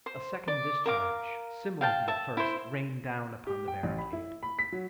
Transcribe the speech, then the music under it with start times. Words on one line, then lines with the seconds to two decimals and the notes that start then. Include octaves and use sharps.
A second discharge, similar to the first, rained down upon the barricade.
0.06 C5
0.48 D5
0.86 A#4 F5 D6
1.81 F5 G5 A5
2.08 E5 A5
2.37 E4 C5
3.47 G4
3.68 G5
3.83 A1
3.98 B5
4.13 E4
4.43 B5
4.59 B6
4.72 F#3